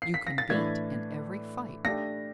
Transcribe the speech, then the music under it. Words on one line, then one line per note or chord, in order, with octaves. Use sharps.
You can beat in every fight.
C7
B6
A#6
A6
A2 E3 A3 D4 G#6
A3 D4 G4 A#6